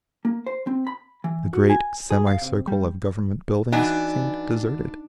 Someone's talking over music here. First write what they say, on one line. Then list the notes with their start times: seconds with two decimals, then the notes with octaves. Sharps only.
The great semi-circle of Government buildings seemed deserted.
0.25 A#3
0.46 C5
0.67 C4
0.87 B5
1.24 E3
1.53 F#4
1.70 G#5
2.11 G#4
2.27 F5
2.41 C3
2.67 G3
3.72 E3 B3 D4 D#4 F#4 G#5